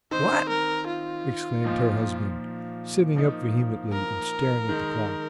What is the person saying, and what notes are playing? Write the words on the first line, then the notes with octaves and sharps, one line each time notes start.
"What!" exclaimed her husband, sitting up vehemently and staring at the clock.
D#3 C4 D#4 C5
A#4
F4
A#2 F3 A#3 D#4
F3 A#3 D#4
A#4
D#3 G#3 D#4